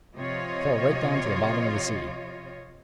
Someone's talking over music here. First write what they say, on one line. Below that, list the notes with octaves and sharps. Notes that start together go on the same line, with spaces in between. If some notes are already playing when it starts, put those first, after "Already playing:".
It fell right down to the bottom of the sea.
C3 F3 F4 C#5 D#5